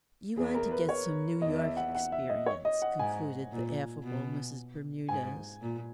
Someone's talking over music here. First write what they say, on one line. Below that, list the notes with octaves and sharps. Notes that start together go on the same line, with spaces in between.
"You want to get some New York experience," concluded the affable Mrs. Bermudez.
E2 G#4
A#4
B4
C#5
E2 D#5
E5
F#5
F#5
E5
D#5
C#5
D#5
F#5
G#2 G#5
A#2
B2
G#2 G#5
A#2